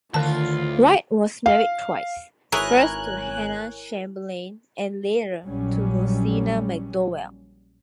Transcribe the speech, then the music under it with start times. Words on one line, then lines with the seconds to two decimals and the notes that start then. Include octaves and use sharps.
Wright was married twice: first to Hannah Chamberlain and later to Rosina McDowell.
0.14 D2 A2 D3 D#3 F4 A5
1.46 F5
2.52 G#1 E4 G#4 A#4 B4 C#5 G#5 F#6
5.46 A#1 A#2 F#3 G3 C#4